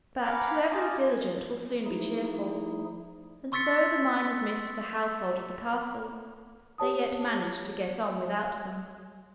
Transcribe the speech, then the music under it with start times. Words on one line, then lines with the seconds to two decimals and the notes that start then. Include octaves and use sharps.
But whoever is diligent will soon be cheerful, and though the miners missed the household of the castle, they yet managed to get on without them.
0.25 F5 F#5 G#5 A#5 B5 D6
0.71 F4 D#5 G#5 A5 D6
1.86 F3 A3 D#4 E4 G#4
3.52 C6 C#6 E6 A6 B6 C#7
6.78 G4 C#5 A5 D#6